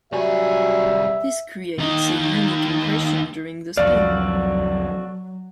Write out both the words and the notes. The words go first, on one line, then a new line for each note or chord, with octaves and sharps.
This creates a unique impression during the spin.
C2 F#3 G3 G#4 E5
D#2 D#4
C2 F2 F#3 F#4 A4 D5 F5